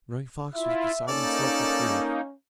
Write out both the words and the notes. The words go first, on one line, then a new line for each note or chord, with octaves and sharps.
Running Fox was beside himself with grief.
E4 F4 E5
A#3 C#4 D#4 A4 D5